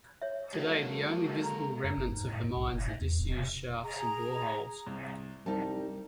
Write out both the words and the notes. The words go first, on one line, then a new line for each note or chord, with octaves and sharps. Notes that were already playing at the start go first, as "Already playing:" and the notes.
Today, the only visible remnants of the mines are disused shafts and boreholes.
C#5 E5
G#3 A#3 F#4 A4
A#5
F#2
G1
G#2
A2
A2
B1
F#1
G#2
E2
D1
C3
G#4 A#5
C2
C2 G3 D#4 A5